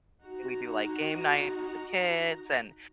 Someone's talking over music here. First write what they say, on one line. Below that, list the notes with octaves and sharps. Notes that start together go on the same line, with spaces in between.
we do, like, game night with the kids and
D#4 F#4 A#5